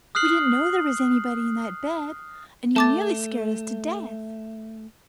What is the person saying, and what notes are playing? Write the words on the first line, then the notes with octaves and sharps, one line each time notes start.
We didn't know there was anybody in that bed and you nearly scared us to death.
D#6 F6 F#6 C7 F#7
A3 A5 D6 A6